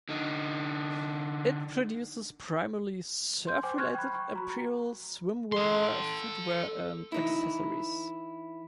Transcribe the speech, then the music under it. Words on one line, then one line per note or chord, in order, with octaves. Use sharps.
It produces primarily surf related apparel, swimwear, footwear and accessories.
D3 D#4
C6 G6
C5 G5 G#5 D6
C6 C#6 F6 F#6 G#6
G5 B5
G5 C#6
F#4 A#5 B5
A4 C6
E3 D#4 E4